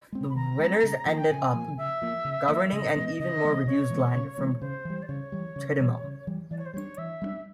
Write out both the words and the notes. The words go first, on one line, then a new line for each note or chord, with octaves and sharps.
The "winners" ended up governing an even more reduced land from Chidima.
G#3 C4
B5
D#3 A#5
G#3 C4
C#3
F3 A#3
G5
C#3 G#5
F3 A#3
C#3 E5
F3 A#3
C#3
F3 A#3
C#3 D#5
E3 G#3 B3
C#3 D#5
E3 G#3 B3
C#3 C#5
E3 G#3 B3
C#3
E3 G#3 B3
C#3 C5
E3 G3
D5
C#3 C#5
E3 G3
C#3
E3 G3
C#3
E3 G3
E3 D5
C#5
C5
G3 B3 D4 C#5
E3 E5
G3 B3 D4